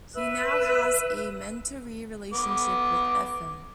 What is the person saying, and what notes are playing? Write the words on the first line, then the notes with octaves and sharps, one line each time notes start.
He now has a mentoree relationship with Efim.
B4 E5 E6 F#6
B3 D6